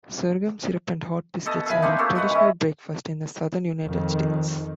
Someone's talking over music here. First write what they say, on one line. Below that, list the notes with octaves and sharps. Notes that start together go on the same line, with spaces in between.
Sorghum syrup and hot biscuits are a traditional breakfast in the Southern United States.
B2 A4 D#5
E5 F5 G#5 B5
A#3 C4 D4 D#4
C#4 F4 G4 A4
G#2 F#4 B4 F#5
E3 C#4 E4
F2 D#3